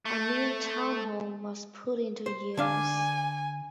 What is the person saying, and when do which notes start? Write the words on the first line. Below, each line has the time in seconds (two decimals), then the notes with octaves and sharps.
A new town hall was put into use.
0.05 A3
2.26 C5
2.57 D3 D4 F5 G#5